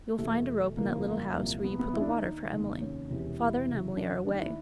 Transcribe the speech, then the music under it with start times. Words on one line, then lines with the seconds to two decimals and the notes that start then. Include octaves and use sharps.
You will find a rope in that little house where you put the water for Emily. Father and Emily are away.
0.19 E2 B2 A3
0.77 F#1 E2 C#3 F3 A#3
0.92 A#3
1.07 A#3
1.35 C2 A#2 F3
1.64 B3
1.79 B3
1.93 D#2 D#3 E4
2.01 D4
2.08 D#4
2.52 F1 D#2 D#3
2.81 C#4
3.10 E1 E2 C3 E3
3.39 E4
3.68 F1 E2 C#3 E3
3.97 D4
4.26 D#2 D#3 D4
4.41 E4